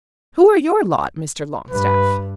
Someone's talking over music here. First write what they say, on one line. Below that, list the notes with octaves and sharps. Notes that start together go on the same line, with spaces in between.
"Who are your lot, Mr. Longstaff?"
G2 B4